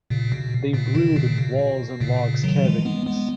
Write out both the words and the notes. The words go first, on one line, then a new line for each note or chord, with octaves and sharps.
They brood in walls and logs cavities.
A#2 C#3
B2
A#2 C#3
B2 D#3
A#2 C#3
B2
B2
A#2 C#3
D#3 F#3
E3 G#3
G#3 B3
G#3 B3